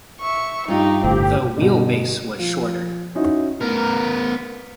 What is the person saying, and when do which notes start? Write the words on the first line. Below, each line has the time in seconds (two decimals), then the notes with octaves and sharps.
The wheelbase was shorter.
0.20 E5 C#6
0.68 G2 D#4 F4 G4
1.04 G1 A2 C4 G4
1.57 G1 B2
2.39 F3
3.15 C#4 D#4 E4 F#4 D#5
3.61 B3 A#4